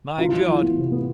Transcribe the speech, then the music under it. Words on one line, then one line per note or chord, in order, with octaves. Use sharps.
My God!
E4 F4
E3
E3
B3
C3
B3